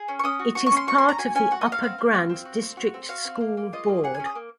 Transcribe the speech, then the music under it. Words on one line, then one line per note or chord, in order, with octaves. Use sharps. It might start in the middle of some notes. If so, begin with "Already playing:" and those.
It is part of the Upper Grand District School Board.
Already playing: G#4
C#4
C#6
C#4 D#6
F#4
F#4 C#6
C#6
C#4
C6
F#4 C#6
C#4 C6
A#5
F#4 G#5
C#4 G#5
F#4 F#5
D#5
F#4
F5
C4 F5
C4
C4
C4
F#4
C4
F#4
C4
F#4 F5
C4
A#3
A#3
F4 D#5
A#3
G#4 F#5
G#5
C#4
D#6
A#3